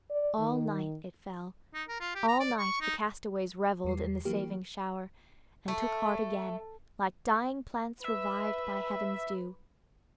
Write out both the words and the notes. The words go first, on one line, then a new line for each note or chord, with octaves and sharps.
All night it fell, all night the castaways revelled in the saving shower, and took heart again, like dying plants revived by heaven's dew.
D5
D#3
D#4
A#4
F4
G4
A#5
D5
C#6
D#4
E2 G3 C7
E3 F#3 A#3 G4
A3
B4 E5